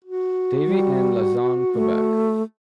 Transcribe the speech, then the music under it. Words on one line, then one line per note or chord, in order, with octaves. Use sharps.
Davie in Lauzon, Quebec.
F#4
G3
A3